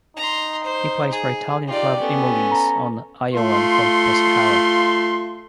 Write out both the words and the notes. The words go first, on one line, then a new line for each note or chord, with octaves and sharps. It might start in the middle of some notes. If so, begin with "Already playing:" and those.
He plays for Italian club Imolese on loan from Pescara.
D#4 A#5 C6
C5
G#4
D#4 F4 G4 D5
B3 C#4 A4
A#5
A3 F4 C6